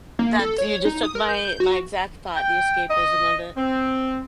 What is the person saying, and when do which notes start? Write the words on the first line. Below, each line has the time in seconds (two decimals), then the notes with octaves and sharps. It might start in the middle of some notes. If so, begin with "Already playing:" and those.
That's You just took my my exact thought, the escapism of it.
0.19 A#3
0.39 A4
0.58 C#5
0.85 D#4
1.03 D#6
1.15 A#4
1.29 G6
1.45 G6
1.60 F#4
2.36 G5
2.90 D#5
3.57 C4